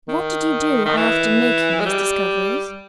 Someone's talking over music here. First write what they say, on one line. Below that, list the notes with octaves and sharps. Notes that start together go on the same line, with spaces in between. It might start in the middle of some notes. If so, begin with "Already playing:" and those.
"What did you do, after making these discoveries?"
D#3
D#3
E3
G#3
G3